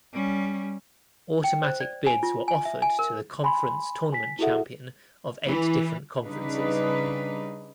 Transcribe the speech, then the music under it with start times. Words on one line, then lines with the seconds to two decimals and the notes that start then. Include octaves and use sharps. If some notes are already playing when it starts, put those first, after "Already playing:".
Automatic bids were offered to the conference tournament champion of eight different conferences.
0.13 G3 C#4
1.44 G5
1.63 C5
1.81 D5
2.07 G#5
2.23 F4
2.48 G#5
2.65 E5
2.82 G#5
2.99 A#4
3.44 G#5 B5 C6
4.12 G#5 B6
4.39 E4 F#4 G#4 A4 E5 F#5
5.48 E3
6.24 C#3 G3 D4 D#4 B4